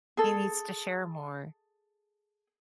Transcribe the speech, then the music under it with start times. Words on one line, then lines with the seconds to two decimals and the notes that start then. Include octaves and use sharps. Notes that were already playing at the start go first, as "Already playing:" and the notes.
he needs to share more."
0.17 G#4 A4